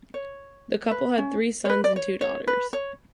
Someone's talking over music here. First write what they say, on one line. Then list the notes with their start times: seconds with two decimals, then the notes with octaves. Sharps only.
The couple had three sons and two daughters.
0.14 C#5
0.91 B4
1.18 C#4
1.65 C#5
1.70 B4
1.84 D5
1.96 C#5
2.21 C#5
2.47 B4
2.73 C#5